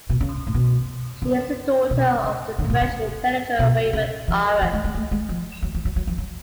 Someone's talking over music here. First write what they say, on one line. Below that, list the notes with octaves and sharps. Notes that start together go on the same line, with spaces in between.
She is the daughter of the French intellectual Raymond Aron.
B2
C#3
A2
B2
C#3
B2
C#3
D3
A2
B2
C#3
B2
C#3
F3
F3
G#3
G#3
A3
G#3
F3
F#3
F3
F#3
F#3
F3
F#3